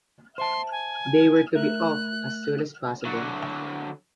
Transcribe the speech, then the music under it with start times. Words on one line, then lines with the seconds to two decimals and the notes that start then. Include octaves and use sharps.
They were to be off as soon as possible.
0.38 C5 E5 A5 C6
0.71 G#5
1.55 A3 A#4 E5 F#6
3.05 D3 F#3